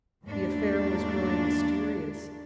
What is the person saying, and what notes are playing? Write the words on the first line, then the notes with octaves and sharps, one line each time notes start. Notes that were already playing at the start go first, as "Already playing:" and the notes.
The affair was growing mysterious.
E2 G#2 A3 A#3 D4